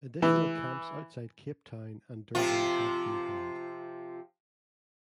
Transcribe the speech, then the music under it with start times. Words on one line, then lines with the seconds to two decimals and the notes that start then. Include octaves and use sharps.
Additional camps outside Cape Town and Durban have been held.
0.22 E3
2.35 C3 F3 F4